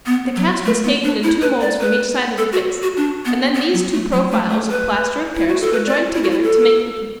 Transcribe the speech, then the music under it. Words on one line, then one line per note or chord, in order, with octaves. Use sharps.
The cast was taken in two moulds from each side of the face, and then these two profiles of plaster of Paris were joined together to make the complete bust.
B3
F#3
A3
B3
D4
E4
B4
D5
B4
A4
F#4
F#4
D4
B3
B3
F#3
A3
F#3
A3
A3
B4
E4
F#4
A4
B4
D5
E4
F#4
E4
A4